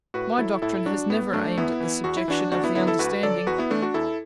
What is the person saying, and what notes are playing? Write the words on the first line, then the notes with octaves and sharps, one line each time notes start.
My doctrine has never aimed at the subjection of the understanding.
A2 F#4 B4
F#3 E4 A4
A2 E4 A4
F#3 D4 F#4
A2 B3
F#3 A3 D4
E2 B3 E4
E3
E2 F#4
E4
E3 D4 F#4
D2 D4 F#4
B3 E4
D3 F#3 B3 E4
E4 A4
D2 F#4 B4
D3 F#3 A4 D5
E2 F#4 B4
B3 E4
E3 A3 D4
D4 F#4
E2 E4 A4